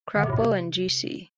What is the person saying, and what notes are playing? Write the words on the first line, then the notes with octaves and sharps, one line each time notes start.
Crapo and G.-C.
D3
C3
A2
C3